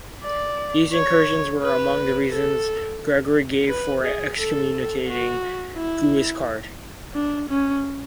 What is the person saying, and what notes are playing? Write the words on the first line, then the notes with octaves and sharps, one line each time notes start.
These incursions were among the reasons Gregory gave for excommunicating Guiscard.
D5
C#5
B4
A4
B4
G#4
A4
F#4
E4
D4
C#4